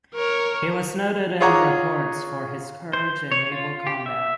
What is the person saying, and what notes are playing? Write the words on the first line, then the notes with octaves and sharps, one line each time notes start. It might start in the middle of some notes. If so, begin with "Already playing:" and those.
He was noted in reports for his courage in naval combat.
A#4 C#5
F4 G#4 C#5 F#5 A#5 D6
C5
C#5
F4
G4
E5